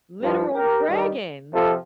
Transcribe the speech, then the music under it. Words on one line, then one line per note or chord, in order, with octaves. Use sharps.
literal dragons!
G2 F3
G4 A#4
G2 D#3 G3
F2 C3 F3 F4 A4